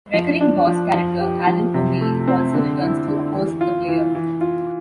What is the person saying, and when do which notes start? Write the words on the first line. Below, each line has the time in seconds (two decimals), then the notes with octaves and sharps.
Recurring boss character Allen O'Neil also returns to oppose the player.
0.14 F3
0.41 D4
0.67 F3
0.94 F3
1.21 G4
1.47 F3
1.74 C3
2.01 A3
2.28 C4
2.54 D3
2.81 E4
3.08 D3
3.34 E3
3.61 F4
3.88 E3
4.15 E3
4.41 F4